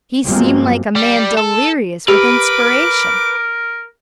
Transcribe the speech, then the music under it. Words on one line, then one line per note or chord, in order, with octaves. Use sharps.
He seemed like a man delirious with inspiration.
G2 F3 F#3 G#3 A#3 C4
G3
A4
G4 A#4 B4 D6